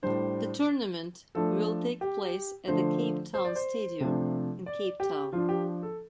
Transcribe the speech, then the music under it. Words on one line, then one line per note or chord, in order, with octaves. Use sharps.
The tournament will take place at the Cape Town Stadium in Cape Town.
A2 G3 D4 C5
F3 A3 D4 A4
G4
D3 F3 A3 D4 C5
C5
D5
C5
C3 F3 A3 D4
D5
G4
F3 D4 F4
G4
A4